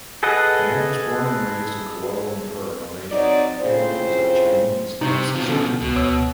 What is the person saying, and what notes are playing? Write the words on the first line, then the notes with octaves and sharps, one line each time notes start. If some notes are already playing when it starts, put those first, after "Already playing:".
Tan was born and raised in Kuala Lumpur, Malaysia and is of Chinese ancestry.
G#4 A4 B4 D#5 F#5
F#3 C4 D#4 D5
A2 C#3 C4 F4 C5
C3 D#4 C5 C#6
B2 F3
D3 C#4
C#2 B2
D2 C#5 D#6 E6